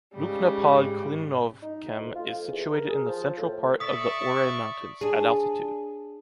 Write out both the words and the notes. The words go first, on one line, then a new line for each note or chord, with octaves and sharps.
Loučná pod Klínovcem is situated in the central part of the Ore Mountains, at altitude.
G#2 C#3 G3
D#4
D2
F4
F2
E2
A#4
G#4
F3
A2
D5 E5 C#6 D#6 B6
D4 G#4